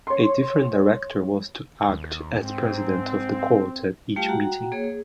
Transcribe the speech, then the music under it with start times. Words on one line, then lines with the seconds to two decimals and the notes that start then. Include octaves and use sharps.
A different director was to act as president of the Court at each meeting.
0.07 C#5 C6
1.89 D#2
2.41 G#2 C4
4.16 G3 A3 F4 G4 F5 G5
4.28 F#4 F#5 G5 A#5
4.72 A#3 G#4 C#5
4.84 G#4